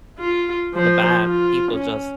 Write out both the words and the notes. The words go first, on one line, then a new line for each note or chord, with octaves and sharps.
the bad people, just,
F4
F3 C5
F4
C#4